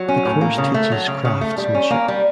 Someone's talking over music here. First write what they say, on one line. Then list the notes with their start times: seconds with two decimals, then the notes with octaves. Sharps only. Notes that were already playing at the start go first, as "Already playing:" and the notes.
The course teaches Craftsmanship.
Already playing: F#3
0.08 C#4
0.25 A2
0.41 A#3
0.58 C#3
0.74 A3
0.92 F#3
1.07 C#3
1.25 C#3
1.41 A3
1.58 G3
1.75 C#4
1.91 A#3
2.08 G3